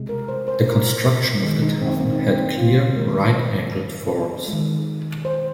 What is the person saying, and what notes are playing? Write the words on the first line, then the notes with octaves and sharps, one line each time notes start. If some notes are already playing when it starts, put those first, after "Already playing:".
The construction of the town had clear right-angled forms.
Already playing: C3 G#3
A#4
C5
C5
A#4
D#3 G#3
D#4
C4
C4
A#3
D#4
C4
F4
D#3 G#3 A#4
C5
D#5
D#3 G#3
C5